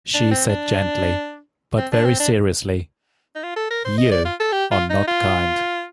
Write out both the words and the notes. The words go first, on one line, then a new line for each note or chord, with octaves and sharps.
She said gently, but very seriously, "you are not kind."
D4
C4
D4
C4
D4
C4
D4
D#4
F4
A4
A#4
C5
D#5
D5
F4
A4
G4
F4
D#4
F4